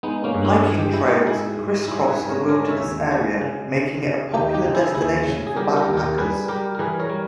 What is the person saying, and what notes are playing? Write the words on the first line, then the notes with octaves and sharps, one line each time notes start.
Hiking trails crisscross the wilderness area, making it a popular destination for backpackers.
G#3 B3 D#4
A#3 C#4
G2
C#4 E4
G#3 G#4
G4
G#3 E4
D#4 G4
G#2 E4 G#4
G#2
G3 E4 G#4
G#4 B4
G#2
A#4 C#5
G#3 A#4 C#5
C#5 E5
D#2
G#3
C#3
C#3
C#3
D#2 D#4 G4
D#4 G4
C#3
E4 G#4
D#2 E4 G#4
C#3
G#4
G3 G4 A#4
G4 A#4
D#2
G4 A#4
G3 G#4 B4
G3 G4 A#4
A#4
E3 G#4 B4
A#4 C#5
G3